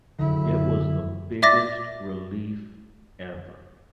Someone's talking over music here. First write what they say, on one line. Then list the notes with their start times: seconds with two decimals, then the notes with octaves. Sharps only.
It was the biggest relief ever.
0.18 F#1 D3 E4
1.42 D5 E5 D6 A6 A#6